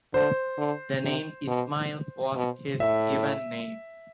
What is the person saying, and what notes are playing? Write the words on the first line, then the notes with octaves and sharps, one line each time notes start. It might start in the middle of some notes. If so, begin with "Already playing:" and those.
The name Ismail was his given name.
D3 C5
D3
C3
B2
B2
A2 E5